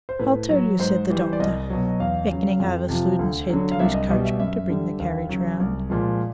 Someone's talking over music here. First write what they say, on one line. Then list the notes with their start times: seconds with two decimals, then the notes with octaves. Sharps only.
"I'll tell you," said the doctor, beckoning over Sludin's head to his coachman to bring the carriage round.
0.09 C5
0.19 A2 B4
0.50 F#3
0.79 G#2 C5
1.10 E3 G3
1.33 D5
1.39 C2 D#5
1.70 B2 F#3
2.00 E2 F5
2.30 C#3 F#3
2.60 F2
2.89 C3 F3
3.19 D2
3.50 D3 F#3
3.72 F5
3.79 C2 E5
3.94 D#5
4.09 B2 G3 D#5
4.25 E5
4.40 F#2 E5
4.70 D3 G3
5.00 D#2
5.29 C#3 F#3
5.60 C2
5.90 A#2 F3 G#3